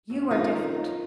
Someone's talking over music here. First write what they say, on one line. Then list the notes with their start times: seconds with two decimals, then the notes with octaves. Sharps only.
You are different.
0.10 F#2
0.30 D#3 D#4 F4
0.52 D#3
0.74 F#2